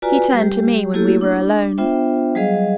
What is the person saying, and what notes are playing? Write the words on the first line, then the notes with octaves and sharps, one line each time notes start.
He turned to me when we were alone.
F4 F#4 B4 D5 G#5 A#5
G3 G4
A3 A#3 E4 F#4 G4 A4
D4
B3 D4 F4 C5 E5 G5
F#3 G3 G#4 D#5 F5